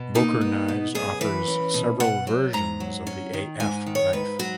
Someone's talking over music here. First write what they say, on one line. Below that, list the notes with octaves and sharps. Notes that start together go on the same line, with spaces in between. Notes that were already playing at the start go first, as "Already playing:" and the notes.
Boker Knives offers several versions of the A-F knife.
Already playing: B2
A#3 D#4
B3
B2
F#2 G#4
E3 B4
C#4
B2
B2 F#5
F#3
G#2 A#5
F#3
C#4
D#3
G#2 G#5
D#3
C#5
G#2 B4
F#3 F#4